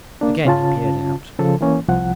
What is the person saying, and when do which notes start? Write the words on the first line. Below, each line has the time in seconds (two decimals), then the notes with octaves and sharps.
Again he peered out.
0.21 A#3 D4
0.45 C#3 C#4 F4 A5
1.39 C#3 F3 A4
1.61 E3 A#3 C#4
1.88 C2 F3 F#5